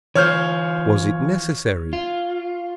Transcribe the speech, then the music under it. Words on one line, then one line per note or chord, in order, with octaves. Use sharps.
Was it necessary?
E3 F4 C#5 F6 G6
F4